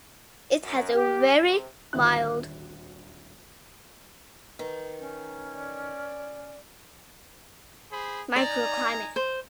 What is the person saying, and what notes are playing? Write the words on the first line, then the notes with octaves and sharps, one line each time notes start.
It has a very mild microclimate.
F#2
G4
C3
D#1 G#1 D2 E4 F#6
D#3 B4
C#4
D5
G#4 C5 B5
D#4 D5 G#5 A#5
C5